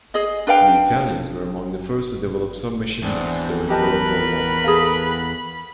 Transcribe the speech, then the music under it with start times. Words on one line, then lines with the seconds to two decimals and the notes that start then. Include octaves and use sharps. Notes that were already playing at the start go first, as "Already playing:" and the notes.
The Italians were among the first to develop submachine guns during World War One.
0.14 G#4 D#5
0.47 D4 B4 F5 G5
3.02 E2 C4 D4
3.70 G4 A#4 B4 D#5 A5 B5
4.64 G#4 A4 F5